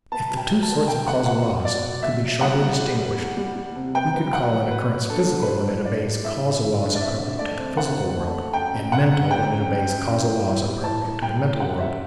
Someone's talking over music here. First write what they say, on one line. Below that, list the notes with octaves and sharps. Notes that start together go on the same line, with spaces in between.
If the two sorts of causal laws could be sharply distinguished, we could call an occurrence "physical" when it obeys causal laws appropriate to the physical world, and "mental" when it obeys causal laws appropriate to the mental world.
B3 A5
F#3
G5
F#3
A5
B3
B2 G5
B2 F#5
B2 F#5
B2
F#3 D5
B2
B2 E5
F#3
G3 F#5
G3
G3
G3
E2
G3
G3
C3
B3 G5
B3
F#3 F#5
F#3
F#3 B4
B3
D4 A4
F#3
B4
D4 C5
E3
D4 D5
G3
A2 E5
A2
E3
D4
D5
C4 E5
D2
A3 D5
C4
D2 F#5
C4
A3
A3
F#2 G5
F#2
F#2 F#5
D3
F#2 G5
F#2
F#2
F#2
A2
A2
E3
G3
A2 A5
A2
G3 G5
A2
F#2 F#5
G3 E5